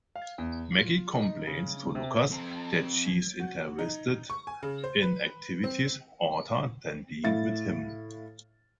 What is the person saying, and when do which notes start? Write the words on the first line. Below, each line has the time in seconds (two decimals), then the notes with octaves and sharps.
Maggie complains to Lucas that she's interested in activities other than being with him.
0.16 F5
0.38 E2
0.72 F4
1.14 D#4
1.47 C#3
1.95 C3
2.31 F3 C4
3.40 F#4
3.79 D#4
4.30 C#6
4.47 G#5
4.63 C#3
4.84 C5
5.02 B4
5.64 C4
7.24 A2 E4 F5 A6